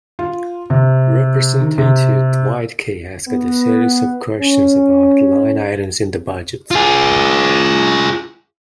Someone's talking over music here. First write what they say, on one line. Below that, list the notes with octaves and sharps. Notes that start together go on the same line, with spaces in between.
Representative Dwight Kay asked a series of questions about line items in the budget.
F4
C3
D#3
C3
B3
C#4
F4 G#4